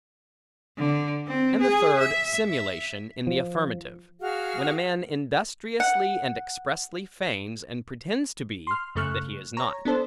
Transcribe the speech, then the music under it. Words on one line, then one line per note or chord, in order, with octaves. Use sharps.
And the third, simulation, in the affirmative; when a man industriously and expressly feigns and pretends to be, that he is not.
D3
C4
G#4
E5
E5
F3
F#4 G#4 F5 F6
F#5
C6 F6
F#2 C#3 A3 C#6 F6 F#6
C#5 A#5
B3 D4 A4 C5